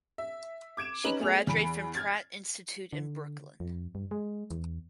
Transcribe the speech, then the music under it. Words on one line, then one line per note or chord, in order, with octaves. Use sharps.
She graduated from Pratt Institute in Brooklyn.
E5
D6 G#6 D7 E7
C#4 D#4 B4 F#7
A3 B3 G#4 F7
E2 B5 D7
F6 G#6 A6
D3
F2
G2
G#3
E2